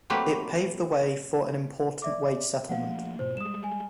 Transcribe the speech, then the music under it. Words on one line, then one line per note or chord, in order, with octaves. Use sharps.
It paved the way for an important wage settlement.
F#3 A3 A#3 C4 G4 B4
D5 E5 D6
F3 A3 A#3 F5 F#5
G#2 B2 C5
G3 G#3 D#6 E7
G#5